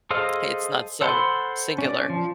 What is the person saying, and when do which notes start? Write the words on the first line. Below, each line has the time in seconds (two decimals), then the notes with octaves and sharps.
It's not so singular.
0.11 G#4 A4 C5 D#5 F5
1.01 A4 C5 F#5 B5 C6
1.78 C#4 D5
2.10 F3